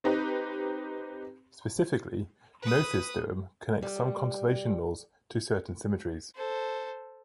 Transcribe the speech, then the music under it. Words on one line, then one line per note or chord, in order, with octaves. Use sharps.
Specifically, Noether's theorem connects some conservation laws to certain symmetries.
C4 D#4 G4 B4
B4 D#6
G3
A4 C5